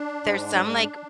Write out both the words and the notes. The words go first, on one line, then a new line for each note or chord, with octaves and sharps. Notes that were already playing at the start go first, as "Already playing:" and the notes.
there's some, like,
Already playing: D4
G#2 G#3